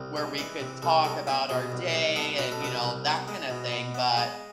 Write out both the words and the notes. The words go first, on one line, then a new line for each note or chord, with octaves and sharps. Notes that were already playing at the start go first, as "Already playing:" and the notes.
where we could talk about our day and, you know, that kinda thing, but
Already playing: C2
G#3
E3 D5
C3
C2 A4
G#3 A4
B3 E4
B2 G#4
C2
C2
B3 A4
B2 B4
A4
C2 B4
C2
B3
G#3
B2
B2
B3
G#3